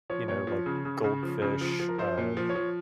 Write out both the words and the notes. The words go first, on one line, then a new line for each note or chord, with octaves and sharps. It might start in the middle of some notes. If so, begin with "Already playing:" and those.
you know, like, goldfish, uh,
F3 C#5
A#2 C#5
F3
C#3
C#3
C#3
F3
C#3
F3
F3
A#4
F3 C5
A#2
F3
C#5
F3